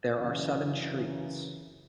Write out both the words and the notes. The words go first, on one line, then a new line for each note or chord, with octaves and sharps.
There are seven streets.
F#2 C#3 E3